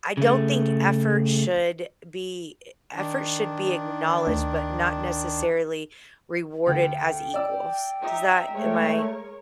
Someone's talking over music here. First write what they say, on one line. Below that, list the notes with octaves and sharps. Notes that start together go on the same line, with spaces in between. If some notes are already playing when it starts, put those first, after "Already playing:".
I don't think effort should be effort should be acknowledged, but not necessarily rewarded as equals. Does that am I,
C#3 A3
D#3 D4
D2
D2 G5
D5 E6
D#4 E5 A#5
G#3 A3 A#4 C#5